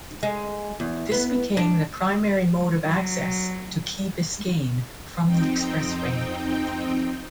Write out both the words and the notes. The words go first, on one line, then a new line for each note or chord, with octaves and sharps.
This became the primary mode of access to Key Biscayne from the expressway.
G#3
E2
B3
D4
F#3
F2 C4 D#4 G5